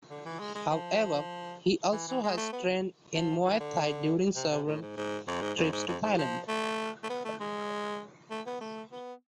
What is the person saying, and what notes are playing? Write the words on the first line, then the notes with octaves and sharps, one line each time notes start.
However, he also has trained in Muay Thai during several trips to Thailand.
D3
E3
G#3
G#3
F3
E3
E3
G#3
A3
B3
F3
E3
D3
C3
C3
A2
G#2
G#2
F2
G#2
F2
G#2
F2
G#2
F3
A3
A3
B3
A3
G#3
A3
B3
A3
B3